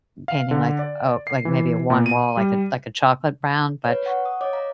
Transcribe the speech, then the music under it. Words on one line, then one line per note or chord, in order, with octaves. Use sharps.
painting like a like, maybe one wall, like a like, a chocolate brown, but
F5
D3
D5
C7
E3
A#2
D#7
G3
B4 C#5
F#5 C#6
D#6
C#5 D#5 D6
F5 A#5